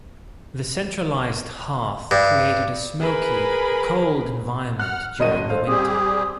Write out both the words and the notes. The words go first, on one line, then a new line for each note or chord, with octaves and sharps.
The centralized hearth created a smoky, cold environment during the winter.
G2
G#4 A#4 B4 B5
F#5 F6 F#6
F#1 G3 F#4 D#5 D#7
D#3 A4 C5 F5
G3 C4 G4 G#4 D#6